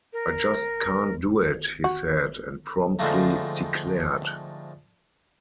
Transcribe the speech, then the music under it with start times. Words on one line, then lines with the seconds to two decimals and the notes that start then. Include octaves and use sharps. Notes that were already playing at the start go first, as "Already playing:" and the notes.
"I just can't do it," he said, and promptly declared.
0.13 A#4
1.84 F#4
2.99 G#2 D3 F3 G3 A3 A#3